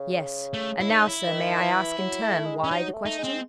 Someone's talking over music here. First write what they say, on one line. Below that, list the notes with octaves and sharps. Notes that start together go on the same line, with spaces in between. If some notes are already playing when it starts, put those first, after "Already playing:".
"Yes; and now, sir, may I ask in turn why the question?"
Already playing: C#3
A3
E4
D#4
E4
D#3
E3
F#3
A3
G#3
C#4
F#3 D#4
A3
D#4
G#3
C4